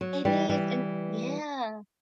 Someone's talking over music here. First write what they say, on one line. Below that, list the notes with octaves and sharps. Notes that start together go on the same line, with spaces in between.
It is, and yeah.
F#3
E3 G3
E3 G3